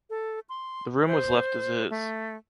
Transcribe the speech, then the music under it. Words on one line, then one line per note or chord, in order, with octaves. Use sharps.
The room was left as is.
A4
C6
C5
A3